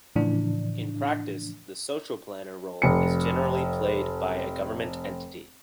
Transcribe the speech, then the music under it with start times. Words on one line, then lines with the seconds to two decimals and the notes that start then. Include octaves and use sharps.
In practice, the social planner role is generally played by a government entity.
0.16 A2 C#3 E3 F3 D4
2.82 F1 C#7